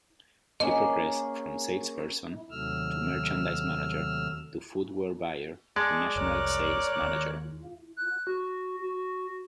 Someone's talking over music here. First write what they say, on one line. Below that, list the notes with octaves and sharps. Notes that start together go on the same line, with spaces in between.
He progressed from salesperson, to merchandise manager, to footwear buyer, to national sales manager.
A#3 C#4 G#4 D#5
D#2 C3 F#3 A3 E6 F6
G#3 G#4 D5 A5 C#6
F1 C2 A#4 C#5 F#6
D#2
F#6
F#4
F#4